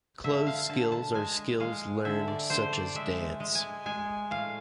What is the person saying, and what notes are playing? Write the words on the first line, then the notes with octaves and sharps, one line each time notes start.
Closed skills are skills learned such as dance.
D3 E5
F5
D3 A5
A5
G#3 G#5
G#3 F5
D3 E5
D5
D3 C5
D5
G#3 E5
G#3
G#5
G#3 G#5
A2 F5